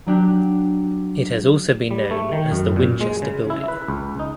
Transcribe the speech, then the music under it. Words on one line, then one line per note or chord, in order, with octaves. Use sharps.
It has also been known as the Winchester Building.
F#3 D4 G4
G3
A3
D#3
F#2
A#2
G#3
C#3
E4
B4
C#2
D#4